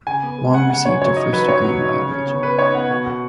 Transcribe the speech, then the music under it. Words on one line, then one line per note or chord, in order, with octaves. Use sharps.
Wong received her first degree in biology.
C#3 G#5
B3
G#3
C#3 F#5
C#3 F#5
C#3 C#5
F#3 C#5
D#4 D#5
F#3 B4
D#4 C#5
F#3
D#4
C#3
C#3
B3
C#3 B4
D#4 C#5
B3 F#5
B2
B2